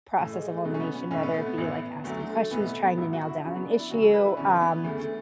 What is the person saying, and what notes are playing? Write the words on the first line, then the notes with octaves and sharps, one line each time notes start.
process of elimination, whether it be, like, asking questions, trying to nail down an issue. Um,
A1 A2 E3 A3
G#3
A3
G#3
C#2 B2 F#3 A3
C#4
B3
C#4
B1 A2 E3 C#4
B3
A3
B3
A1 A2 E3
D2 D3 F#3 A3
A3
A3
B1 A2 E3 B3
A3
B3
A1 A2 F#3 E4
F#4
E4
E2 C#3 F#3 C#4
B3
D4
E4
E1 D2 C#3 F#3 F#4
A4
B4
E4
D4
E1 E2 D3 C#4
B3
D2 C#3 E3 A3
A3